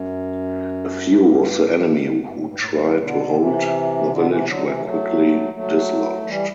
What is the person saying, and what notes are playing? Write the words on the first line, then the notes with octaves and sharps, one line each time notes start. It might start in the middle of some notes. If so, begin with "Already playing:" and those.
A few of the enemy who tried to hold the village were quickly dislodged.
Already playing: F#2
G2
G2
A2
G2
A2
G2
B2 D3
C3 E3
B2 D3
C3 E3
D3 F#3
C3 E3
F#3 A3
F#3 A3
F#3
E3 G3